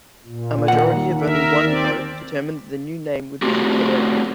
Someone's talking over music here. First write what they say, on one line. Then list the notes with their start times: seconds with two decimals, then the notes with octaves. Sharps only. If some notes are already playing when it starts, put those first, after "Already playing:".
A majority of only one vote determined that the new name would be "Kalev".
0.25 A#2
0.68 D#2 F#5
1.21 A#4 E5
1.65 C4 D5
3.42 A3 C4 F#4 G4